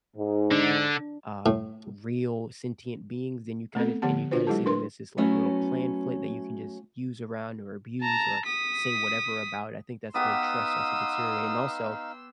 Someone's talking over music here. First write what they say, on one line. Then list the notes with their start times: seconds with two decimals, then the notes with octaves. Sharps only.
uh, real sentient beings, then you kinda and you kinda see them as this, like, little plan flip that you can just use around or abuse or say whatever about, I think that's when trust starts to deteriorate and also,
0.17 G#2
0.51 D3 D4
1.46 A2
3.75 A3 B3 C4 A4
4.02 D3 F3 B3 G4 F#5 A5
4.31 D4 F4 F#4 B4 C5
4.47 F#3 G#3 E4 G4 A4 A5
4.66 D4 A#4 B4 C6
5.17 F#3 A3 B3 C#4 E4 F#4
8.02 A5 A#5
8.46 D#6 B6
10.14 B3 D#4 G4 F5 C6 D#6 E6